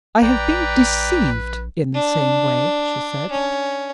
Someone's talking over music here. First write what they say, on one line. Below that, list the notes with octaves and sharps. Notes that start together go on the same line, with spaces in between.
"I have been deceived in the same way," she said.
A#1 B4 D5 G5 A#5
D4
C#4